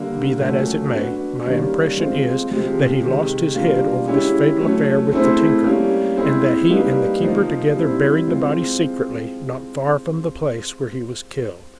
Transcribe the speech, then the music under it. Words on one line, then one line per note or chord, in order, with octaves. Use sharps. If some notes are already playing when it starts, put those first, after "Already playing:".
Be that as it may, my impression is that he lost his head over this fatal affair with the tinker, and that he and the keeper together buried the body secretly, not far from the place where he was killed.
Already playing: D3 G3 A#3
A#2 F#3 A3 C#4 F#4
B3 D4 F#4
D#3 G3 A#3 C#4
F3 G#3 C4 F4
C3 F3 G#3
C3 D#3 G#3
G3 A#3 D4 F4
G#3 C#4 E4 G4
F#3 A3 C#4
A3 C4 E4 G#4 C5
G3 A#3 C#4
G#3 C4 E4 G#4 C5
G3 A#3 D#4 G4 B4
F3 A#3 D#4
G3 C4 E4
F3 G#3 C4